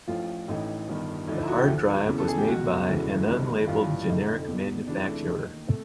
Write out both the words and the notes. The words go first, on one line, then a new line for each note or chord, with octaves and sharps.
The hard drive was made by an unlabeled generic manufacturer.
A1 A2 F3 F4
A1 A2 E3 D#4
G1 G2 D#3
D2 D3 F3 D#4
E4
F#4
G4
D2 D3 F3
E2 C#3 E3
A4
G#4
G4
C#2 B2 F#4
E1 D2 C#3 E3
G1 G2 D#3
A1 G2 E3 F4
F1 F2 D3 D#4
E2 B2
C#2 C3 E3 D4
A3
D#2 D#3
C3 A3